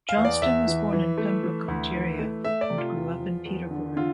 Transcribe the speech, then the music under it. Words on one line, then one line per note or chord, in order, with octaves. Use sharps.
Johnston was born in Pembroke, Ontario and grew up in Peterborough.
F5
E2
D5
E2 E5
E3
E3
A3
E3
D2
E3
A3
A3 E5
D5
C3
F4
E2
F3
E2
D3
D3 F4